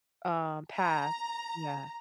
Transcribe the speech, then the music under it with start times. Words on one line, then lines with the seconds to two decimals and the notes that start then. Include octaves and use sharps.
uh, path. Yeah.
0.78 A#5